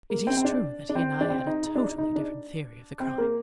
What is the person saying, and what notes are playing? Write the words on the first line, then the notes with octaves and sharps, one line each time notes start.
It is true that he and I had a totally different theory of the crime.
A#3
C4
C4
D4
D4
C4
D4
C4
D#4
D#4
D4
D#4
D#4
D4
C4
A#3